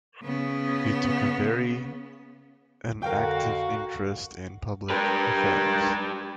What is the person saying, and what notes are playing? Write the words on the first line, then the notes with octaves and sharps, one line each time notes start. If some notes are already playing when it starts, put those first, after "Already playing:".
He took a very an active interest in public affairs.
C#3 B3
F2 D3 F#4 A#4 F5 G5
G2 G4 A#4 B4 G5